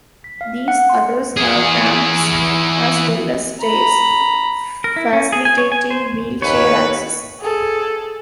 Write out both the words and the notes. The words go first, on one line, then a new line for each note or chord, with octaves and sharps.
These others have ramps as well as stairs, facilitating wheelchair access.
B6
F5
F#5
C6
E3 G#4
A#5 B5
A#4
E4
C#4
G#4
G#5
C#5
G#5
C5
D#2 B4 C#5
G#4 A4